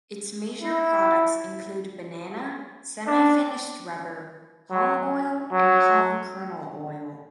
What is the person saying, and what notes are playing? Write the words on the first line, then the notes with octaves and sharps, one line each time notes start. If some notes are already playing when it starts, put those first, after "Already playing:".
Its major products include banana, semi-finished rubber, palm oil and palm kernel oil.
E4
D4
F#3
F#3